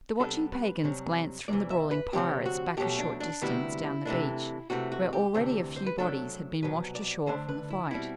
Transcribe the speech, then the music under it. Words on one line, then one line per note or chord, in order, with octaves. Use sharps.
The watching pagans glanced from the brawling pirates back a short distance down the beach where already a few bodies had been washed ashore from the fight.
C3 G3 B3 D4 A4
B4
C2 C3 F#3
E2 C3 E3 D5
E5
B4
D2 C3 F#3 C4 G4
F#4
B2 F#3 A3 G4
D4
D4
D2 C3 G3 B3 E4
C3 E3 A3 D4
C3 E3 A3 F#4
F#4
G4
D2 C3 E3
C5
B4
C3 F#3 A3 D4 A4
C2 B2 F#3 B4
D5
D2 D3 A3 D4 C5
B4
E4
B2 G3 C4 E4